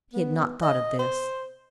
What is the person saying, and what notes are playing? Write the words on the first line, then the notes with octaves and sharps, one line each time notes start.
He had not thought of this.
B3
D#5
C5